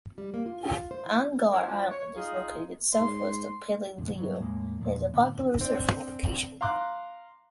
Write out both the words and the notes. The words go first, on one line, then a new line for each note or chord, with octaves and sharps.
Angaur Island is located southwest of Peleliu, and it is a popular surfing location.
G3
A#3
F4
F4
C5
E3
C4 C#4 E4 F#4 A#4 C#5
F3 D4 F#4
C#5
D#4 F4 G#4
G#2 C6
C2 F2 A#2 D3
G2 F#3
E2 A2 G#3 A#3
E2 A#2 F3
A2 D3 B3
C4 D4
F5 A#5 C6 D6 F#6